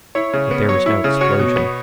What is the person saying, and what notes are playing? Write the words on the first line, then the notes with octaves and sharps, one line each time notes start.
But there was no explosion.
E4 C#5
C#3
B3
F#3 C#5
E4
C#3
F#4 C#5
B2
B3